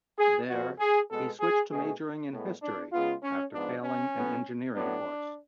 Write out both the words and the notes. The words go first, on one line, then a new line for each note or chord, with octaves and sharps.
There, he switched to majoring in History after failing an engineering course.
G#4
F2 F3 B3 F#4
G#4
B2 G#3 B3 A4
G#4
B2 A3 G#4
A2 G#3 B3
D4
C#3 G#3 B3 F4
C#4
G#2 F3 B3 D4
C#4
A2 F#3 B3
A2 F#3 B3 D4